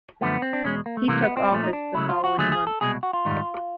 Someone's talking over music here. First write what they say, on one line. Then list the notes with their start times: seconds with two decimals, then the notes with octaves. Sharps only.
He took office the following month.
0.21 F#2 D3 F3 A3 B3
0.42 C4
0.53 D4
0.64 E2 B2 G#3 C#4
0.86 A#3
0.97 A3
1.08 C2 C3 E3 A3 A#3
1.22 B3
1.37 C4
1.51 A#2 F3 A3 C#4
1.64 D#4
1.73 D4
1.94 C#2 C#3 F#3 A3 E4
2.09 F4
2.24 F#4
2.37 D#2 D3 F#3 A3 G#4
2.52 G#4
2.67 A4
2.81 C2 B2 G#3 G#4
3.03 F#4
3.13 F4
3.25 G#2 D#3 G3